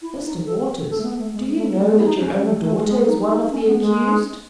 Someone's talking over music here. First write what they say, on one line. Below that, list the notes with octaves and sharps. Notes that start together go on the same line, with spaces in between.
"Mr. Waters, do you know that your own daughter is one of the accused?"
E4
D#4
A4
A4
A3
B3
A3
G#3
A3
A3
B3
E4
D#4
C#4
A3
A3
G#3
D#4
D#4
C#4
B3
G#3